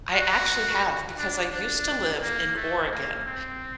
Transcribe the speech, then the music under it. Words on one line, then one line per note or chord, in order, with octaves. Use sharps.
I actually have because I used to live in Oregon.
F#4
D4
D4
A#3
A3
A#3
C4